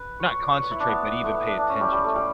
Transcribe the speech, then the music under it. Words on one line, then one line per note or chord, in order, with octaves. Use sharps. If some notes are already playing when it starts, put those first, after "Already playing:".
Not concentrate, but even pay attention to it?
Already playing: B4
C#5
C#5
D5
C#5
B4
E4
D4
B3
A3
B3
D4
D4
C#4
G3
G3
A3
G3